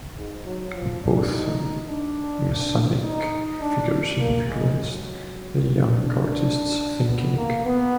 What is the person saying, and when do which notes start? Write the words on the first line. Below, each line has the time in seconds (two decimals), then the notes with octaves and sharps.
Both messianic figures influenced the young artist's thinking.
0.16 G#2
0.45 F#3
0.74 F3
1.02 D4
1.31 D#4
1.88 D4
3.04 D#4
3.61 D4
4.19 A#3
4.47 G#3
4.76 F#3
5.92 D4
7.07 B3
7.36 A#3
7.65 B3